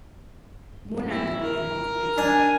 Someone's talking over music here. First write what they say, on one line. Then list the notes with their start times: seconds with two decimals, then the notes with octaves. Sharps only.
Monadnock and Mount Grace.
1.11 E4
1.43 A#4
2.18 D4 G#5